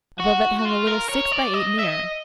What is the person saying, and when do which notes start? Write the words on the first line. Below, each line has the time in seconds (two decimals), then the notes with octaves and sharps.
Above it hung a little six-by-eight mirror.
0.20 F#4
0.59 F#4
0.65 F4
0.87 A#4
1.09 C#5
1.32 D5
1.54 D#5
1.79 E5
1.83 D#5